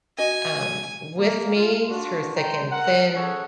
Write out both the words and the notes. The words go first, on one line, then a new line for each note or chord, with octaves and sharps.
um, with me through thick and thin,
F#4 D#5 G#5
A#3
F4
D4 F4 F#4
G5 A#5 C6
A#4 F#5
C#4 G#4 A4 C#5 F#5